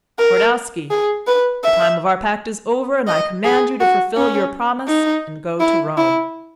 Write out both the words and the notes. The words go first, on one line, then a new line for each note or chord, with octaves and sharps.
"Twardowski, the time of our pact is over, and I command you to fulfill your promise and go to Rome."
A#4
G#4
B4
E5
D#5
G#4
F#4
C#4
D#4
E4
E4